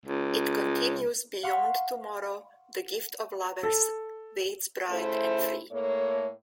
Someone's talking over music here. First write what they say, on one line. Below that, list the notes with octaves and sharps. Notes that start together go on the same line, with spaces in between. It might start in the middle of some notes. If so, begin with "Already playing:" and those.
It continues Beyond tomorrow, the gift of lovers, waits bright and free.
C#2
F5 F#5 C6 C#6 B6
A4
C#3 A3 E4 C5
A2 A3 A#3 C#5